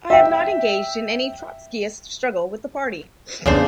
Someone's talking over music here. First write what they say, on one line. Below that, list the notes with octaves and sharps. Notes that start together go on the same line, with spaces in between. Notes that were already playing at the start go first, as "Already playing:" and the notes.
I have not engaged in any Trotskyist struggle with the party.
E5 G5
E2 C#3 B3 D4 C5